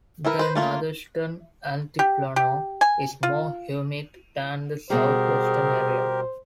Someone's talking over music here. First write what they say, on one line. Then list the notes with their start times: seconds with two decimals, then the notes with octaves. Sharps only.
The northeastern Altiplano is more humid than the southwestern area.
0.25 E3 E4 A#4 B4
0.39 B4 C5
0.55 A3 A#3 F4
1.99 G4
2.36 G4
2.81 G#5
3.23 F4
4.90 B2 G3 G4 G#4 A#4 C5